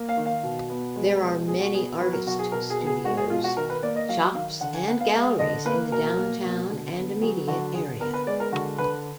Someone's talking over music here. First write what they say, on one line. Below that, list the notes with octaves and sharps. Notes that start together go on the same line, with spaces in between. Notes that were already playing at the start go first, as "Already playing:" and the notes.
There are many artist studios, shops and galleries in the downtown and immediate area.
Already playing: A#3
F5
D#3
F5
B2
B3
G#3
B2
B2 G#4
F#4
B3 G#4
F#3 B4
A#4
B2 F#4
G#4
B2 A#4
G#4
B3
G#4
G#3 F#4
G#4
B2 F4
F#4
D#3 A#4
B4
A#3 D5
D#5
F#3 F5
D#3 F5
D3 F#5
G#5
B3 F#5
F5
G#3 F5
D3 D#5
A#3 B4
B2 A#4
A#3
B2
D3
B3
F#3 G#4
D3 F#4
D3 G#4
B3 A#4
B4
G#3 D5
A#4
D3 F#4
D3 B4